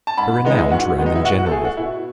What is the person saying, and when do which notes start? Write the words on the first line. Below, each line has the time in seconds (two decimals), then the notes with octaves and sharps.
A renowned Roman general.
0.07 A5
0.18 G#2 B5
0.45 D#3 G#3 B3 D#4
0.57 E4
0.71 G#2 F#4
0.98 D#3 G#3 B3
1.06 D#4
1.15 E4
1.25 B2 F#4
1.38 F#4
1.46 A4
1.51 A3 G#4
1.64 F#4
1.77 B2 E4